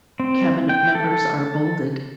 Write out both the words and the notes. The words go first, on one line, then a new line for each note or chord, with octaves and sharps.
Cabinet members are bolded.
C4
G5
A4